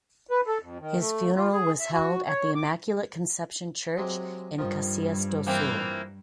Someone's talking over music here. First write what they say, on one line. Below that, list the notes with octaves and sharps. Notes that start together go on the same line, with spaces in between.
His funeral was held at the Immaculate Conception Church in Caxias do Sul.
B4
A4
F2
D#3
A3
F4
G#4
E5
F#4
C#5
D6
C3 F#3 G#3
G2 D#3 F3
E3 A#3 C4